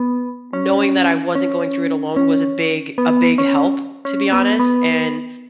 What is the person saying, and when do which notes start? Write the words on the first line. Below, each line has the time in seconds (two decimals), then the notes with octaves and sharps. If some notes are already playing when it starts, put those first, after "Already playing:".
knowing that I wasn't going through it alone was a big a big help, to be honest, and
Already playing: B3
0.53 C#4
1.35 C#4
2.16 C#4
2.98 B3
3.38 C#4
4.05 C#4
4.32 B3
4.59 B3